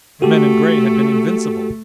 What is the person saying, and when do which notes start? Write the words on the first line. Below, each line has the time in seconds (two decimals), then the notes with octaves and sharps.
The men in gray had been invincible.
0.22 A3 F#4 G4 A4